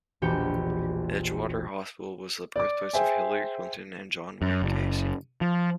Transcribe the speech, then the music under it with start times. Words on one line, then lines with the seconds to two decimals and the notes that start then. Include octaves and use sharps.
Edgewater Hospital was the birthplace of Hillary Clinton and John Wayne Gacy.
0.22 E1 A#1 F#4 G4 G5 C#7
2.56 D5 D6
2.93 G#4 C5 E5 G5 G#5
4.42 F#2
4.62 F#1
5.41 F3